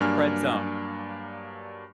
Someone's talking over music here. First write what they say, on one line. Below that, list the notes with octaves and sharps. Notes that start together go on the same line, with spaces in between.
Friend zone.
G2 F#3 A#3 D4 G#5 F6